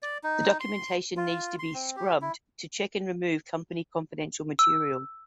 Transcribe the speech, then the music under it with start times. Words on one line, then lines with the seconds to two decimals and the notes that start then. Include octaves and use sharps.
The documentation needs to be "scrubbed" to check and remove company confidential material.
0.02 D5
0.24 D#4
0.60 C6
1.17 F4
1.59 C6
1.74 C4
1.96 G4
2.21 E4
4.59 E6